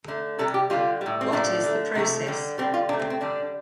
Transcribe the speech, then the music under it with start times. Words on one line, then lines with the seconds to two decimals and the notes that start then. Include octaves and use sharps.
What is the process?
0.08 D3 A3
0.39 C3 G3 A4
0.54 G4
0.70 D3 G3 F4
1.01 G3
1.06 A2
1.21 C4
1.32 A2 F3 A3 D4
1.63 D3 A3
1.95 C3 F3 A3
2.27 D3 G3
2.58 D3 G3 C4
2.74 F4
2.89 C3 A3 D4
2.99 C4
3.10 C4
3.21 D3 G3 D4